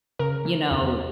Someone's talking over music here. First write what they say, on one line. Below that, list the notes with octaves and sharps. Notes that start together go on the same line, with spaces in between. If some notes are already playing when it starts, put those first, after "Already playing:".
you know,
C#3 A#4
E3
E2